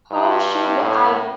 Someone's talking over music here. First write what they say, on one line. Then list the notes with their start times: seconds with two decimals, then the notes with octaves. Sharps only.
How should I?
0.12 G2
0.81 A2